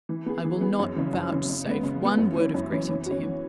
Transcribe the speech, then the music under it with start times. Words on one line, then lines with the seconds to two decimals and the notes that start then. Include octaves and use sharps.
I will not vouchsafe one word of greeting to him.
0.09 E3
0.26 B3 G#4
0.45 E3
0.61 B3 G#4
0.79 F#2
0.96 C#3 E3
1.13 F#2
1.32 C#3 E3
1.49 C#3
1.66 G#3 B3
1.83 C#3
2.01 G#3 B3
2.18 F#2
2.36 E3 C#4 E4
2.54 F#2
2.72 E3 C#4 E4
2.89 E3
3.06 C#4 F#4
3.23 E3